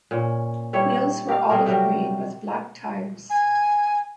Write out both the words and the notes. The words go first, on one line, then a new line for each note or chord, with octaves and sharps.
Wheels were olive-green with black tyres.
A#2 C#4
G3 E4 C#5
G4 F5
G3 A3 G#4 A#4
C3 F#3 G3 A#4
G#5